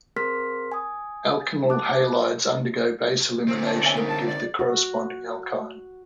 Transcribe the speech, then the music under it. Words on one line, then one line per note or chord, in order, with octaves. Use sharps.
Alkenyl halides undergo base elimination to give the corresponding alkyne.
C4 G#4 A#4 C6 F6 B6
G#5 D#6
A5 D6 F#6
D3 C4
D4
C#5 E5 G#5
D#4 A#4 E5
A5
D5
F#4